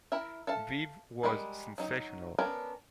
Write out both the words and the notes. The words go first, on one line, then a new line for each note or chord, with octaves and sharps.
Viv was sensational.
E4 A#4 E5
A4 E5 F5 A5
G3 G#3 A#4 F#5 B5
F#3 D#4
B3 C#4 D4 A#4